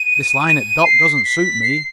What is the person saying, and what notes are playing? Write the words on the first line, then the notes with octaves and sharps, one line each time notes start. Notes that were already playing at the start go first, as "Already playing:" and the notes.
This lying at dock doesn't suit me.
Already playing: D#7
D#7
C7
B6
C7